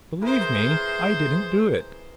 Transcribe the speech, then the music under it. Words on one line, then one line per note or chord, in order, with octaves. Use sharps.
Believe me, I didn't do it.
E3 G#4 A#4 C5